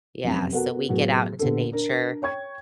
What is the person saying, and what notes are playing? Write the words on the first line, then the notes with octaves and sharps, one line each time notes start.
yeah, so we get out into nature.
F1 F#2 C3
B3 F#4 A4 A#4 F#5
A2 F#3 B3 F#4 G#4
A#2 D3 B3 G4 A4
D4 A#4
C#5 G5 C#6 G#6